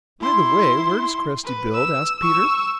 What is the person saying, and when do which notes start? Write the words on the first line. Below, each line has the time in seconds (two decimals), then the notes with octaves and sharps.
"By the way, where does Cresty build?" asked Peter.
0.20 E4 C6
1.44 B4
1.74 E6
2.20 C#6 E6